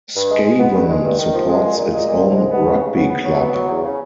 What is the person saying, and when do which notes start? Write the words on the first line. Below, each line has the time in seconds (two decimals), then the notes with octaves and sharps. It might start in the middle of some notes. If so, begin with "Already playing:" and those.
Skewen supports its own rugby club.
0.15 G2
0.30 G#3
0.45 G#3
0.59 B3
0.74 G2
0.89 G#3
1.04 G2
1.19 D#3
1.33 F3
1.48 G#3
1.63 A#2
1.77 A#2
1.92 G#3
2.08 A#2
2.22 C2
2.36 G#3
2.51 B3
2.66 C#3
2.81 C#3
2.95 B3
3.10 B3
3.25 F#3
3.40 B3
3.54 F#3
3.69 E2
3.84 C#3